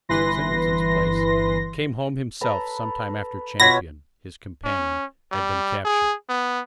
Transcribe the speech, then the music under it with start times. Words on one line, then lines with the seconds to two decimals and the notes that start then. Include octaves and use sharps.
Singleton's place, came home himself sometime after Champion, his companion, had been captured.
0.09 G1 E3 B4 C6 A#6
2.41 A4 B4 A#5
3.60 B2 F4 C#5 B5 G#6 A#6 B6
4.64 C#4
5.31 G3
5.85 G#4
6.29 B3